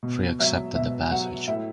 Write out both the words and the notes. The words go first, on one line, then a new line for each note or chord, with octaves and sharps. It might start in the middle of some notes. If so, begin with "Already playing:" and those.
Three accepted the passage.
B2
F#3 E5
B2 E5
F#3 F#5
A2 E5